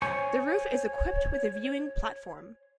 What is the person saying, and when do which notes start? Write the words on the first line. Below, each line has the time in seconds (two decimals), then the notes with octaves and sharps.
The roof is equipped with a viewing platform.
0.02 C5 C#5 G#5 C#6